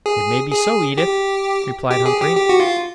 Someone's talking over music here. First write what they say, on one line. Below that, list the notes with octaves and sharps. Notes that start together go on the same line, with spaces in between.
"It may be so, Edith," replied Humphrey.
G#4
G#4
G4
G4
G#4
G4
G4
F#4
F4